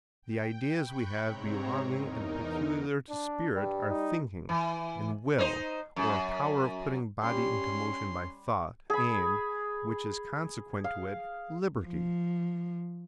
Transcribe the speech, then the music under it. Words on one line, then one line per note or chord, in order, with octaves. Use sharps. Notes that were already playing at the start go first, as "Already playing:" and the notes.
The ideas we have belonging and PECULIAR TO SPIRIT, are THINKING, and WILL, or A POWER OF PUTTING BODY INTO MOTION BY THOUGHT, AND, WHICH IS CONSEQUENT TO IT, LIBERTY.
G5
G5 B5 C#6 F#6 G6
G#2 C3 C4 C#5 A#5
E2 D#4 A#4
D4
G2 G3
D#4
E3
D#4 C5
F#2
G3 C#4 C6
G#4 B5
F5
F3